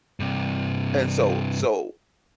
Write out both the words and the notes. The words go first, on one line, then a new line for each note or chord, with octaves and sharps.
and so so
G2 C3